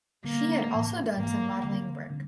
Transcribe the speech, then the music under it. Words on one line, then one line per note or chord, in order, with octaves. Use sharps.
She had also done some modeling work.
D3 G3 A#3 B3 D4
A2 E3 A3 C4
G#2 E3 G#3 A#3
D3 G3 C4
D3 G3 C4